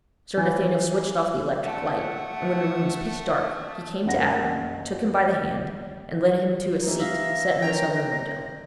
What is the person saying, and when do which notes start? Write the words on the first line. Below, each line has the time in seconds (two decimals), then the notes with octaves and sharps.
Sir Nathaniel switched off the electric light, and when the room was pitch dark, he came to Adam, took him by the hand, and led him to a seat set in the southern window.
0.37 E3
1.63 A3 F#5
4.06 F#1 A#3 F#5 A#6
6.64 C5
6.83 E3 G3 D#4
7.00 E5 F5 A#6
7.62 C#4 A#4 C5 G5 A#5